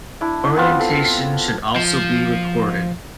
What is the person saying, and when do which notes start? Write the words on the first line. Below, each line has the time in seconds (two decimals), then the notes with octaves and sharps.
Orientation should also be recorded.
0.21 D4 E4
0.56 B3 C4 F4
0.79 A4
1.76 F3